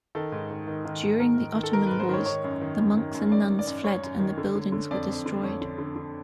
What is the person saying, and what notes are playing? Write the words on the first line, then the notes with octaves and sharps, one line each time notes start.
During the Ottoman wars the monks and nuns fled and the buildings were destroyed.
D#3 A4
G#2
D#3
D#3
D#3
G#2
D#3 A#4
D#3
D#3
A4
D#3 A#4
G#2 B4
C5
D#3 C#5
D#3 C#5
F#2
D#3
F#2
D#3
F#2
F#2 D5
D#3
D5
F#2
F#2 C#5
F#2
D#3
D3
D3
D3
F2 D5
F2
D3
F2 C#5
D3
D3
D3